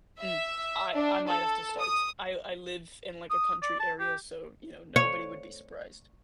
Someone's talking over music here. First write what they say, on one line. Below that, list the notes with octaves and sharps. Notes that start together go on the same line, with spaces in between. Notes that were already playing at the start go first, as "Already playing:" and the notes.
Mm. I I might have to start. I I live in, like, a country area, so, you know, nobody would be surprised.
E5
D4
A4
D#6
D#6
D5
A5
G4
C#5